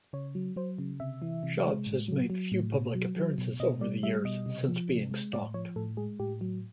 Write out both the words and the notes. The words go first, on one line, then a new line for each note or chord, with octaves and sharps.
Chaves has made few public appearances over the years since being stalked.
C#3 C#5
F#3
F#3 C5
C#3
C3 E5
E3
C3
G#3
A2
F#3
F#3
A2
B2
F#3
F#3
B2
B2 D#5
G3 D5
G3 E5
B2 D#5
C3
F3
C3
G#3
A2 D5
F3 C#5
A2 A4
G#3 G#4
A2 G4
F#3